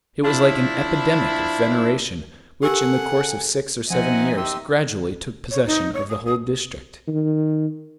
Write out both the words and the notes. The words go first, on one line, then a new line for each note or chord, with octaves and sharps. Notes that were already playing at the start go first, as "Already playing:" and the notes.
It was like an epidemic of veneration, which in the course of six or seven years gradually took possession of the whole district.
F3 D4 E4
G4 A4 A#4 F#5 G#5
F3 C4 D#4 D#5 E5 F#5 G#5
G4 C6 E6
C#5
D#4
C#5
D#6
D#6
D#3